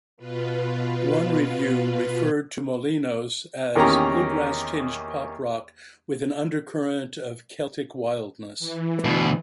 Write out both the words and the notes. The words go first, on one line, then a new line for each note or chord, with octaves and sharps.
One review referred to "Molinos" as "bluegrass-tinged pop-rock" with an "undercurrent of Celtic wildness".
B2 F4 B4
E2 D#3 A#3 C#4 G4 A#5
E3
D2 B2